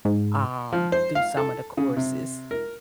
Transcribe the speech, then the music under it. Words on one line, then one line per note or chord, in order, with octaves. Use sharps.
um, do some of the courses.
G#2
F3
C5
F5
A4
C#3
C3
A#4